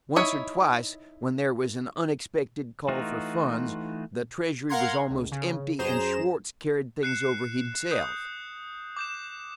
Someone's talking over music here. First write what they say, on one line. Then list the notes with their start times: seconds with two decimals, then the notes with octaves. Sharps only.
Once or twice, when there was an unexpected call for funds, the treasury was almost empty, and Schwartz carried things over himself.
0.16 D#4 E4 C#5
2.88 E3 A3 D#4 F4 F#4
4.69 A#4 F5 F#5 A#5 C6 G#6
5.10 C#2
5.31 C#3
5.78 F#2 G#4 C5 A#5 E7
7.03 F#6 C7 C#7 E7
7.91 D#6 G6
8.97 D6 G6 E7